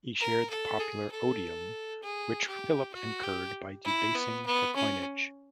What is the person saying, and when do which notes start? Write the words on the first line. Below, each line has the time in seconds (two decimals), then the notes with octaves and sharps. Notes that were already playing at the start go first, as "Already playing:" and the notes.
He shared the popular odium which Philip incurred by debasing the coinage.
0.20 A#4
0.50 A4
0.80 G#4
1.11 A4
2.02 G#4
2.48 G4
2.94 F#4
3.24 G4
3.84 E4
4.15 B3
4.46 B3
4.76 C#4